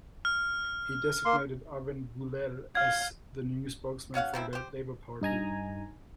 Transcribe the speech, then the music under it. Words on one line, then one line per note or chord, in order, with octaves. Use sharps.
He designated Arvin Boolell as the new spokesman for the Labour Party.
F6
A#3 C6
F5 F6 G#6
B2 C#4 F5 F#5
D#3 F3 C4 E4
G4 C5
G2 D#4 G#5 A#5